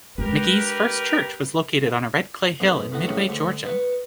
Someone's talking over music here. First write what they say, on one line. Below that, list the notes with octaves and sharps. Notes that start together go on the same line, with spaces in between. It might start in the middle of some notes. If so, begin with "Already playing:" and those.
McGee's first church was located on a red clay hill in Midway, Georgia.
G#3 D4 G4 A#4 B4
B1 F#2
A2 B3 F#4
A2 C#3 F#3 C#6
D2 C#6
B3 C#6